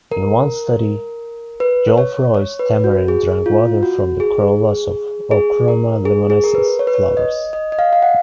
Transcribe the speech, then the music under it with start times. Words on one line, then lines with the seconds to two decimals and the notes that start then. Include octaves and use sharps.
In one study, Geoffroy's tamarin drank water from the corollas of "Ochroma limonesis" flowers.
0.12 A#4
1.60 B4
1.98 C#5
2.35 C#5
2.59 B4
2.84 F#4
3.08 G#4
3.46 F4
3.83 F#4
4.20 G#4
5.31 G#4
5.68 A#4
6.05 G#4
6.30 G#4
6.44 A#4
6.55 B4
6.79 C#5
6.87 B4
6.94 C#5
7.17 D#5
7.53 D#5
7.72 D#5
7.79 F5
7.93 F5
8.02 F#5